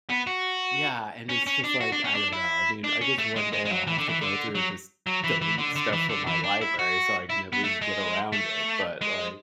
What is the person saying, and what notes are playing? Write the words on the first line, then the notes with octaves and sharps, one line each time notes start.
yeah, and it's just, like, I don't know. I mean, I guess one day I'll have to go through and just delete stuff from my library so I can at least get around it, but, like
B3
F#4
C#4
C#4
D4
F#4
D4
C#4
D4
E4
D4
C#4
A3
G#3
G#3
G#3
F#3
E3
D3
E3
D3
F#3
F#3
E3
E3
D3
D3
E3
D3
E3
D4
E4
F#4
E4
B3
A3
G#3
A3
G#3